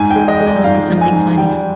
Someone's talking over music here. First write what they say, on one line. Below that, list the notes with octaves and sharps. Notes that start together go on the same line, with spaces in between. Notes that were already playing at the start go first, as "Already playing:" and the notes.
Tell me something funny.
Already playing: G#2 G#5
G5
G#3
D#5
G#3
D5
G#2 F5
F3
G#5
G#2
G3 G5